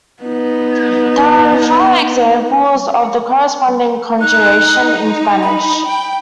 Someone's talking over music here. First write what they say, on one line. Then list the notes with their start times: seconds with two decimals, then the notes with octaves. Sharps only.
There follow examples of the corresponding conjugation in Spanish.
0.23 B3 D#4
4.21 D#4 F#6
5.43 B5
5.88 G5